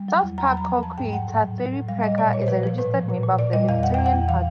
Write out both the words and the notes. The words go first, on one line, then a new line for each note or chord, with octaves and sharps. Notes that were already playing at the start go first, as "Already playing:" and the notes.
"South Park" co-creator Trey Parker is a registered member of the Libertarian Party.
Already playing: G3
F#3
E2
F#3 A#5
B5
F#3 A#5
F3 A#5
F3 A5
G#2 G5
G#2 F#5
A2
F#3
F#3
A2
G3 F5
G3 D#5
A#2 D5
A#2 C#5
C5
F3 B4
F3
A2 B4
F3
A#2
A#2
A#2 D5
G3 D#5
E2 F5
E2 F#5
E2 G5
F#5
E2
E3 F5